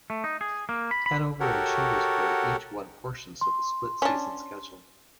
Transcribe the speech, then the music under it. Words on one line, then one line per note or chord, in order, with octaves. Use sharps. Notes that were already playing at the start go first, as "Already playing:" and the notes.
Hanover and Chambersburg each won portions of the split season schedule.
A3
D#4
G#4
A#3
B5
B5
F#4 G4 A4 A#4 C#5 F#5
C6
C#4 D4